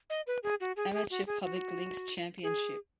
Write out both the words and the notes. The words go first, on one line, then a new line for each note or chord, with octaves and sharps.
Amateur Public Links Championship.
D#5
B4
G#4
F#4
G#4
G#4
F#4
G#4
F#4
G#4